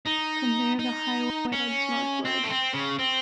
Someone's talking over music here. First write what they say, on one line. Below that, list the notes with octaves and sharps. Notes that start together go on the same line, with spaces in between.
From there the highway heads northward.
D#4
D#4
C#4
C4
A3
C4
C#3
C4